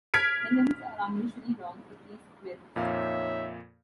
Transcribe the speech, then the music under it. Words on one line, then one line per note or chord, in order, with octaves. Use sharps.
The limbs are unusually long for tree squirrels.
F6 G#6 B6 D7
F2 A#2 D#4 C#5 E5 F5